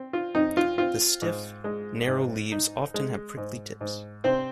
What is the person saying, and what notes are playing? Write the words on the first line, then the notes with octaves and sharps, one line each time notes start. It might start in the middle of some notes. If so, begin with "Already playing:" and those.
The stiff, narrow leaves often have prickly tips.
Already playing: C4
F4
F2 D#4
F4
C4 F4
G#2
G#3
G#2
D#4
G#3
G#2
G#2
C3 C4 C5